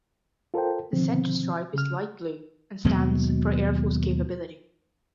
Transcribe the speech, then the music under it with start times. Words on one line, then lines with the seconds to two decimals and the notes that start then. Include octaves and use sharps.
The center stripe is light blue and stands for Air Force capability.
0.54 F4 A4 A#4 C5 G5
0.93 B2 D3 D#3 F3 C4
1.74 C#3 F6
2.84 D#2 B2 F#3 G#3